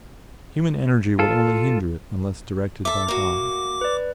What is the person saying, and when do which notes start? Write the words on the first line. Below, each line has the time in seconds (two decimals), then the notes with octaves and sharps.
Human energy will only hinder it unless directed by God.
1.19 F4 A4
2.85 A4 E5 D6
3.08 A#3 F#4
3.81 B4 D5